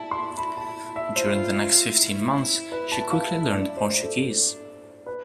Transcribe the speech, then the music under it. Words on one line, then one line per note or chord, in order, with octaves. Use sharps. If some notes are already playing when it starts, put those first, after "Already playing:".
During the next fifteen months, she quickly learned Portuguese.
Already playing: E4 A5
C6
E4 B5
A5
E5
F4 C5
E4
B4
A5
F5
E5
E4 D5
C5
A4
D4
B4